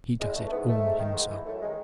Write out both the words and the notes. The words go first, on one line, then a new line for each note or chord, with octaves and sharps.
He does it all himself.
E2 G#3
C#3 E3 A3
A3
G#2 B3
D#3 A3
G#2
D#3
G#2
E3
F#2 A3
D#3 G#3